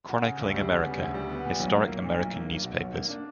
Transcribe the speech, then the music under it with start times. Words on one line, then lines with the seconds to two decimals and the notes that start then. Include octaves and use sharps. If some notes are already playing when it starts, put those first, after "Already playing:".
Chronicling America: Historic American Newspapers.
0.09 F#4
0.23 C#3
0.39 D2
0.54 G3
0.69 B3
0.84 C#3
0.99 D2
1.14 G3
1.29 B3
1.44 A#2
1.60 B1
1.74 A#3
1.88 B1
2.04 A#2
2.19 B1
2.34 A#3
2.49 B1
2.64 B2
2.78 B1
2.94 A#3
3.09 D4